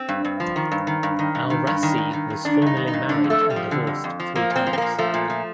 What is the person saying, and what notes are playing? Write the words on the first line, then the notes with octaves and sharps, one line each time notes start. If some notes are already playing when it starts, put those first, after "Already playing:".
El Rassi was formerly married and divorced three times.
Already playing: C4
G2
G2
F3
D#3
G2
D#3
G2
D#3
G2
D#3
G2
D#3
G2
D#3
G2
D#3 D4
G2 D#4
D#3
D#4
G2
D3 D4
F2
A3
F2
G3
F3
D3
F2
F2
F3
F3 A#3
A#2
C4
F3
C4
A#2 A#3
F3 A3
A#2
F3